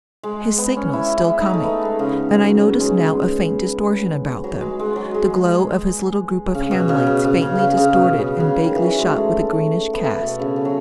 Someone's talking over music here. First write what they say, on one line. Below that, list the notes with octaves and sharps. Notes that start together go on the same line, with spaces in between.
His signals still coming. And I noticed now a faint distortion about them, the glow of his little group of hand lights faintly distorted and vaguely shot with a greenish cast.
G#3
B3
C#4
E4
E4
D#4
A3
B3
G#3
C#3
F#3
F#3
G#3
F#3
G#3
G#3
F#3
G#3
C#3
B2
C#3
B2
C#3
C#3
C#3
C#3
B2
C#3
C#3
D#3
E3
F#3
G#3
A3
B3
A3
B2
C#3
C#3
F#3